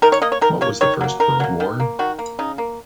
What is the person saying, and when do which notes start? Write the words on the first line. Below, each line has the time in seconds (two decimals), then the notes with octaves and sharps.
What was the First World War?
0.02 D#3 A#4
0.12 C#5
0.22 A#3 D#5
0.32 C#5
0.41 D#3 A#4
0.61 A#3 C#5
0.81 D#3 C#5
1.01 F#3 A#3
1.20 D#3 A#4
1.40 F#3 A#3
1.60 D#3
1.80 A#3
1.99 D#3 F#4
2.19 A#3
2.39 C#3 D#4
2.58 A#3